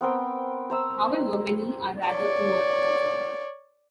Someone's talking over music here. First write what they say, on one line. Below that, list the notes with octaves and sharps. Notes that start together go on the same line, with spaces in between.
However, many are rather poor.
B3 C4 A#4 G5
C5 A#5 E6
C#5 D5